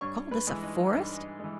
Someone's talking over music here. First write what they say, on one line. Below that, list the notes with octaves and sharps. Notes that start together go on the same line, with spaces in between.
Call this a forest?
G2 C#5 C#6
B4 B5
E3 G#3
D#4 D#5
G2 D#4 D#5
E3 G#3